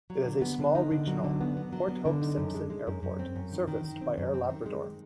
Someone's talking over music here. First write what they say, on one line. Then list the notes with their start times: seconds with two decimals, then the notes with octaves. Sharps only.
It has a small regional Port Hope Simpson Airport serviced by Air Labrador.
0.10 F#3
0.25 D3
0.42 B3
0.59 D3
0.75 D#4
0.91 D3
1.07 F#3
1.24 D3
1.41 B3
1.57 B3
1.72 F#3
1.88 B3
2.05 D3
2.22 D#4
2.37 F#2
2.55 G#3
2.70 G#3
2.87 F#2
3.03 F#2
3.19 C4
3.36 F#2
3.52 D#3
3.68 D#3
3.84 D#3
4.01 C4
4.18 F#2
4.34 C4
4.50 D#3
4.66 G#3